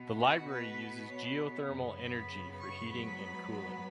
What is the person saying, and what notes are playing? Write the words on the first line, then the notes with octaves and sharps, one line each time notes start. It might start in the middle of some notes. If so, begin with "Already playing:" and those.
The library uses geothermal energy for heating and cooling.
Already playing: B2 B3
F#4
B2 B3 B4
C#5
F#2 C#3 B3
B5
C#6
G#2 F#3 B3 B5
B5